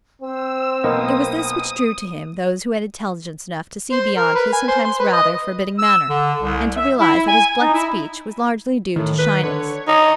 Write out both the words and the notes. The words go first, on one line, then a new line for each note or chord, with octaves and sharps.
It was this which drew to him those who had intelligence enough to see beyond his sometimes rather forbidding manner, and to realize that his blunt speech was largely due to shyness.
C4 C5 E6
B1 A#3 D#5 D#6
C5
A#4
B4
G#5
C5
C6
B4
D#5
E6
D3
C2
E5
E4
G#5
D#4
E4
A2 D#3
B4
D3 C#5
D#4